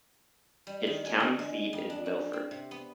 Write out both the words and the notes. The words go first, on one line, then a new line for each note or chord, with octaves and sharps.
Its county seat is Milford.
G3
D#3
G#5
D3
G#3
F2
D4
F#4
C4
C3
B3